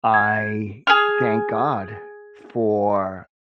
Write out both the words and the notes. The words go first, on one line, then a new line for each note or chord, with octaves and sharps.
I thank God for,
G#6
G#4 G#5 F6